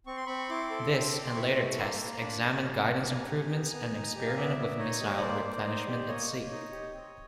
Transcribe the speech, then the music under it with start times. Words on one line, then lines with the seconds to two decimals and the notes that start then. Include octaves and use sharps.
This, and later tests, examined guidance improvements and experimented with missile replenishment at sea.
0.06 C4 C#6
0.17 C6
0.26 C4 B5 C#6
0.49 E4 C6 D6
0.70 A4
0.92 C4
1.13 C4
1.35 E4 B5 C#6
1.57 A4
1.78 A#3 A#5 C6
2.00 A#3
2.13 C6
2.21 D4 A5 B5
2.43 G4
2.64 A#3
2.85 A#3
3.07 D4 G#5 A#5
3.28 G4
3.51 B3
3.71 B3
3.93 D#4
4.15 G4
4.26 F5
4.36 B3 D5 E5
4.58 B3
4.78 D#4 C#5 D#5
5.01 G4
5.17 C#5
5.21 A#3 C5 D5
5.44 A#3
5.57 D#5
5.64 D#4 C5 D5
5.87 G4
6.08 A#3 C#5 D#5
6.30 A#3
6.51 D#4
6.72 G4
6.94 C4